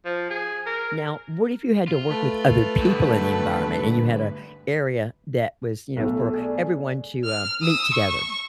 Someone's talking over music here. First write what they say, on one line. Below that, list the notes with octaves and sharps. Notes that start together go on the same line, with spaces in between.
Now, what if you had to work with other people in the environment and you had a area that was, you know, for everyone to, uh, meet together?
F3
G#4
A#4
F4
A3 B4
D2 G2
B1 A3
G#4 D5
F6
D#6 E6
C#6